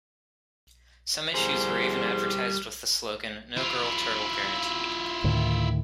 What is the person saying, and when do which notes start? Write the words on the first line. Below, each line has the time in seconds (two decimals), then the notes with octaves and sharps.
Some issues were even advertised with the slogan: No girl turtle guaranteed.
1.34 G3 E4 G#4 A#4 C5
3.57 E4 F4
5.24 D2 A2 D#3